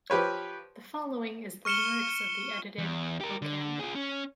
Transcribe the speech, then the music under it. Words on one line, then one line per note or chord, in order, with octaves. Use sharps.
The following is the lyrics of the edited "O Canada".
F3 G4 B4 C#5
C#6 F6 C#7 E7 G7
E2
G4 A#4
D3
F4 G#4
C#4